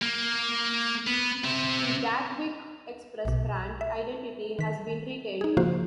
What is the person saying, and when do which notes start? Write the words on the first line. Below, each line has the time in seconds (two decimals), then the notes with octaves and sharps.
The Gatwick Express brand identity has been retained.
0.02 A#3
1.07 B3
1.44 C4 E5
3.25 B1 B2
3.81 E5
4.59 D#3 B6
5.41 D#4 G#4
5.57 C#3 F3 A#3 F4 F#4 C5